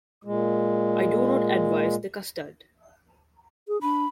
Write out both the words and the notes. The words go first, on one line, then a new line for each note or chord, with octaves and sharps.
I do not advise the custard.
A#2 G#3
G#4
D4 B5